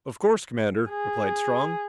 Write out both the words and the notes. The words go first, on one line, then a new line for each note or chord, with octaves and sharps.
"Of course, Commander," replied Strong.
G#4